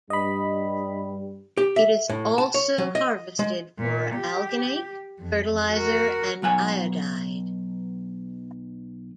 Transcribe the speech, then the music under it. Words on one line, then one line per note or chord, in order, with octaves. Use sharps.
It also is harvested for alginate, fertilizer and iodide.
G2 G3 D#5 B5
G4
E5
A2
A5
C#5
F#3
D#5
G#3
A#2
G4
F2
F#4 A#4
B1 F#3 F#5 G#5